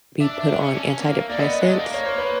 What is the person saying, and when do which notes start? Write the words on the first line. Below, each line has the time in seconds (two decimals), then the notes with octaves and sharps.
be put on antidepressants,
0.20 D4 E5
0.40 D4
0.60 C#4
0.75 D4
0.79 C#4
1.00 A#3
1.29 A#3 D5
1.39 B3 D#5
1.61 G#3
1.70 A3
1.79 A#3
1.94 C#5
2.06 C5
2.18 B4